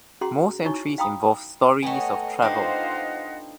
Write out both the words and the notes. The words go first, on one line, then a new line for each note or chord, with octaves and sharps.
Most entries involved stories of travel.
C#4 F#4 G#4 F#5 A#5 C6
D#4 E4 F#4 C#5 G#5 C#6
F5 G5 A#5 B5 D#6
A3 B3 C#5 D#5 G5 G#5
D4 D#4 F4 C5 D#5 F#5 G5